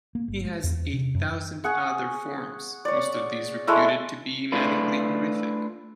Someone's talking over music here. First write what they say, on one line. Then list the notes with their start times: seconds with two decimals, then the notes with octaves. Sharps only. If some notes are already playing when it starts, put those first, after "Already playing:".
He has "a thousand" other forms, most of these reputed to be maddeningly horrific.
0.15 A#3
0.28 G1
0.45 G#3
0.64 E2
0.94 C3
1.15 F#2
1.64 G#4 F#5 C#6
2.85 C#5 D5
3.67 G#3 A3 E4
4.52 A3 D4 E4 F4 B4